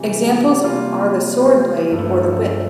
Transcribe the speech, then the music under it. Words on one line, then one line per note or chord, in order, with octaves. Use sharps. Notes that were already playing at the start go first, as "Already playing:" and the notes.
Examples are the swordblade or the whip.
Already playing: C3 E3 G3
C3 G3 A#3 F4
G2 F3 A3